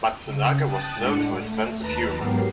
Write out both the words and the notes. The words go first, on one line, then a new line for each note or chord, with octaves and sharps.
Matsunaga was known for his sense of humor.
C#3
G5 A5 D#6 F#6 A6
A2 G#3 D4 F#5 C#7
A3
D#2 B4 A5 A#5
G#2 F#3 B3 G4 A#4 C7